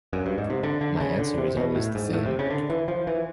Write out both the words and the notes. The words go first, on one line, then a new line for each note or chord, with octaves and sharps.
My answer is always the same.
F#2
G2
G#2
C3
D3
D3
C#3
D3
C3
B2
A2
G#2
A2
C3
C#3
D3
E3
F3
E3